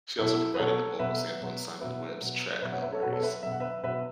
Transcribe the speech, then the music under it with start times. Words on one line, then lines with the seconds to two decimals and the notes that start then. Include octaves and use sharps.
She also provided the vocal sample in Simon Webbe's track, No Worries.
0.18 B2 F#3 E4 A4
0.54 B4
0.59 B2 F#3 A4 C#5
0.99 B2 F#3 B4 E5
1.41 B2 F#3
1.81 B2 F#3 B4 E5
2.21 B2 F#3
2.62 B2 F#3 B4 E5
2.72 C#5 F#5
2.82 B4 E5
2.92 A4 C#5
3.02 B2 F#3 F#4 B4
3.12 A4 C#5
3.23 B4 E5
3.43 B2 F#3 E5
3.51 F#5
3.60 B4 E5
3.83 B2 F#3 B4 E5